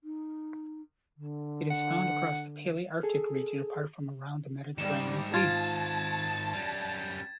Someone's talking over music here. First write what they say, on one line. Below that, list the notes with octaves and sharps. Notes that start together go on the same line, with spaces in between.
It is found across the Palearctic region apart from around the Mediterranean Sea.
D#4
D3
F#5
G#4 A4
G#2 D#3 G3 E7
F4 A5 G#6 A6
F#2 G3